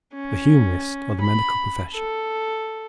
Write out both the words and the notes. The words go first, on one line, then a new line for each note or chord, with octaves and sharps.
The humorist of the medical profession.
C#4
B5
A4